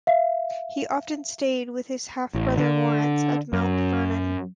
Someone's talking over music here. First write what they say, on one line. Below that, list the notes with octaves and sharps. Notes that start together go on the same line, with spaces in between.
He often stayed with his half-brother Lawrence at Mount Vernon.
E5 F5
A1
D3
F#2